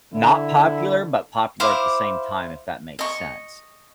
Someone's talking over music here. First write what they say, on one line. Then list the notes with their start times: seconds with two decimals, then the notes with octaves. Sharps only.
not popular, but popular at the same time, if that makes sense,
0.14 D3 E4
1.60 E4 C5 F5 D6
2.99 D#5 C#6